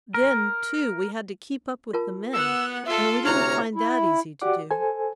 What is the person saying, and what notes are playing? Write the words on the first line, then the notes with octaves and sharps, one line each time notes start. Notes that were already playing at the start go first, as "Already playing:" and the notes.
Then too, we had to keep up with the men, and we didn't find that easy to do.
A#4
F4 A#4 A5
B3 F#5 E6
F4 A4 E5
D2 C3 D#4 E4 C5 C#5 A#5 F6
E4
F#4 G4 D5 F#5 D6
A4 C5 G#5